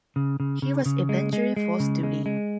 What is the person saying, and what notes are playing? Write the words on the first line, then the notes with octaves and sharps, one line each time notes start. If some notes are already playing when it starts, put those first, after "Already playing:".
He was eventually forced to leave.
C#3
C#3
C#3
C#3
G#3
G#3
G#3
C#3
G#3
G#3